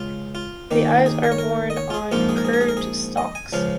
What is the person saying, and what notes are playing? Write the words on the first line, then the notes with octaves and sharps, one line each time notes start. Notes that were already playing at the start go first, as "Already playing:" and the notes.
The eyes are borne on curved stalks.
Already playing: C#2 C#3 G#3 F4
F4
D#2 D#3 A#3
G#4
A#4
C#5
A#4
D#5
C#5
F4
G#4
A#1 G#2 F3 A#3 F4
G#4
A#4
G#4
A#4
G#4
A#4
G#4
D#5
G#5
C#2 C#3 F3 F5